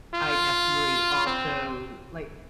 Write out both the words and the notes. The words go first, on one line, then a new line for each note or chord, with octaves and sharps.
I definitely also, like
F4
C4